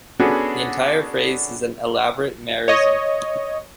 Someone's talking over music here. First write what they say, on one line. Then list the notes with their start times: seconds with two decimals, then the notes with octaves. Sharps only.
The entire phrase is an elaborate merism.
0.20 B3 C#4 D4 F#4 G#4 A4
2.68 C#5 D#5